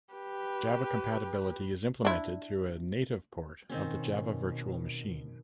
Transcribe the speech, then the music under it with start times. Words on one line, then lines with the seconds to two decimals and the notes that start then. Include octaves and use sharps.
Java compatibility is implemented through a native port of the Java virtual machine.
0.13 G4 B4
2.05 D4 E4
3.70 B2 D#3 C4 C#4